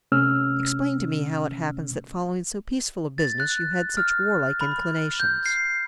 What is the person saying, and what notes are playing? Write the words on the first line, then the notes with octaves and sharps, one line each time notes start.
"Explain to me how it happens that, following so peaceful a business, you had such warlike inclinations."
C3 A3 C#4 E6 F6
A6
F#6
F6
B5
G6
C7